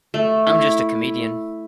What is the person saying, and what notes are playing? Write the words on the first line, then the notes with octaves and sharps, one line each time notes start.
I'm just a comedian.
A3
E4